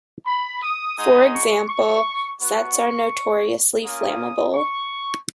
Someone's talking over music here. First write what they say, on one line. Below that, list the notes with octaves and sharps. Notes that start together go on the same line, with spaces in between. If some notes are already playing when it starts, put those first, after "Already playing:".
For example, sets are notoriously flammable.
B5
D#6
G#3 D#4 F#4 D#6
C#6
C#6
B3 F#4 C#6
A#3 C#4 F4 D#6
C#6